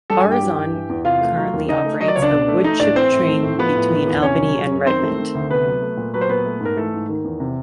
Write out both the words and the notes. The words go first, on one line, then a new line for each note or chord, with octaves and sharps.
Aurizon currently operates a woodchip train between Albany and Redmond.
G3 A4 A5
G#4 G#5
G2
G4 G5
E3
G2
E3
E2
C3 F4 F5
A3
F#3
D#2
C#3 D#4 D#5
A3
F#3 D#5
D5
C#2 C#5
D4 D5
B2
A3
A3 D#4 D#5
A2 D4 D5
E3 C4 C5
A2
A3
A2
F3 B3 B4
A2
D#3
E2
C3 C#4 C#5
F#3
F#3
F#2
D#3 C4 C5
A3
D#3
D2
C3 B3 B4
F#3
A3
A#2
F#3 B4
C5
A#2 B3 B4
A3
G#2 A#4
E3 A3 A4
G#2
D#3
E2
C3